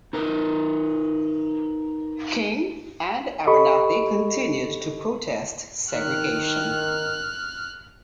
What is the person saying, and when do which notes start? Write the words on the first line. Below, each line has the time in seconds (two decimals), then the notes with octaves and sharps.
King and Abernathy continued to protest segregation.
0.13 D#4 A#4 B4
3.47 G4 A4 D#5 B5 C#6
5.93 D#3 F6 F#6